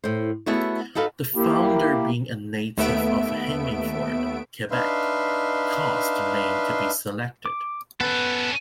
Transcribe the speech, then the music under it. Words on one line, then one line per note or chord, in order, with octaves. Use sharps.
The founder being a native of Hemmingford, Quebec, caused the name to be selected.
A2 C5
A3 B3 E4 F#4 G#4 C#5
D#4 F#4 A4 B4 F5
A#3 E4 G4
D#2 A3 B3 E5 D7
D4 D#4 B4 E5 F5 C6
D6
B3 C#4 A4 B4